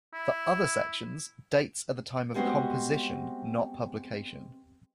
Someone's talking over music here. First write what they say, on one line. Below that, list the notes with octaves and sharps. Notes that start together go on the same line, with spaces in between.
For other sections, dates are the time of composition, not publication.
E4
G3 G#3 B3 C4 F#4